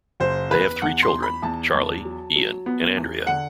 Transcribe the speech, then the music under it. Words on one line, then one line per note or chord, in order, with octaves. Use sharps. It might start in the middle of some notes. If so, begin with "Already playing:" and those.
They have three children; Charlie, Ian and Andrea.
F#1 C5
E2 B4
E2 F#5
C6
E2
B5
E2 A5
E2
F#3
F#3
B3
E2
D3 F#5